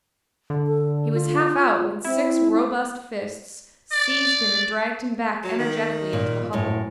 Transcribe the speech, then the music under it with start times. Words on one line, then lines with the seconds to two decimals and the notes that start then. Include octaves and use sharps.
He was half out when six robust fists seized him and dragged him back energetically into the hovel.
0.50 D3
0.67 A4
1.13 F4
2.05 C4 E4
3.92 D5
5.44 F#3
5.59 D#3
6.13 A#2
6.53 F#2 A2